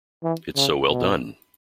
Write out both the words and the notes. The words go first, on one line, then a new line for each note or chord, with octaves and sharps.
It's so well done.
E3
C#3
B2